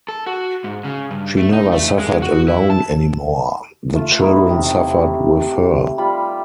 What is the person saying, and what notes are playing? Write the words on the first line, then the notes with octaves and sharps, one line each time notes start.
She never suffered alone any more: the children suffered with her.
A4
F#4
G#2
C#3
G2
A3
D#4
A3
G#3
F#4
E4
A5
A3 F4
A3 B3 D#4 E4
C3
G3 F4 B5